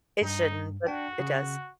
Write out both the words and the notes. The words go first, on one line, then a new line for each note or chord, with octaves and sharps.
It shouldn't, but it does.
G2 D#4
D4 F#4 G5
C#3